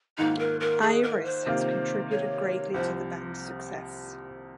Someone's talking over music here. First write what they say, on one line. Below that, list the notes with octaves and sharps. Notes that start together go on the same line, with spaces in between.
"Iris" has contributed greatly to the band's success.
G#2 D#3 A#3 D#4 F4
A#4
A#4
G#4
A#4
C5
C3 D#3 A#3 F4
C#5
C2 C3 F3 C5